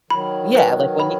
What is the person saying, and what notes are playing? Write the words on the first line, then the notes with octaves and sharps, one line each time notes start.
yeah, like when you
D#3 F#3 B5
B4
B5